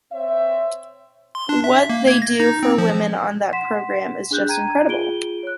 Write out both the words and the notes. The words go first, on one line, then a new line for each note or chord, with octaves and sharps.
What they do for women on that programme is just incredible.
C4 C#5 E5
C6
D4
E5
A#3
G#6
A#6
D#4
C4
F3
F#5 C6 B6 E7
D4 G#4 F#6 G6
G5 A#5 G#6 D#7
F4 G#4 D7 G7
C#5 F#6